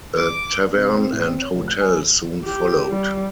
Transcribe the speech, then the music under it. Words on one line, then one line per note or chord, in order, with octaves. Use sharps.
A tavern and hotel soon followed.
D6
C3
C4
A2
C4
C#5
F1
F#6
G#5
G4
G3